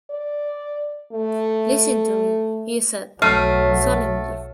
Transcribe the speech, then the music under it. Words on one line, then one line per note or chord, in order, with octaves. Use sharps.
"Listen to me," he said solemnly.
D5
A3
B1 F#3 A3 F6 C7 D#7